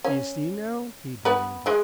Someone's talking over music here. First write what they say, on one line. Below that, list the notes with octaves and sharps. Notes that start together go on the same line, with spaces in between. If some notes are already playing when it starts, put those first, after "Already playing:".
"D'ye see, now!" he demanded.
C#4
B3 B4
G#3 G#4